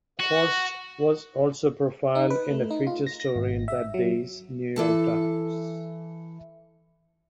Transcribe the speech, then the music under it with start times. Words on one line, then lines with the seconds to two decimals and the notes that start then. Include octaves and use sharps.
Faust was also profiled in a feature story in that day's New York Times.
0.20 F#4
2.15 D#4
2.30 B4
2.51 A3
2.70 D#4
2.87 F4
3.07 A#6
3.20 A#6
3.36 G#1
3.68 E5
3.94 F#3
4.76 E3 A4 A5